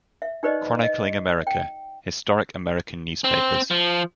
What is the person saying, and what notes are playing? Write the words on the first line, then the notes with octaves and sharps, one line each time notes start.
Chronicling America: Historic American Newspapers.
E5
D#4 G4 B4 C5 D5 D#5
D#5
G5
C4
F3